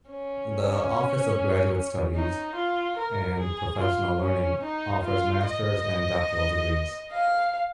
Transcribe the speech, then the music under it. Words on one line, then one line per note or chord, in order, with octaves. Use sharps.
The Office of Graduate Studies and Professional Learning offers master’s and doctoral degrees.
C#4
D#4
F4
A#4
G#4
F4
C#4
D#4
F4
D#5
F5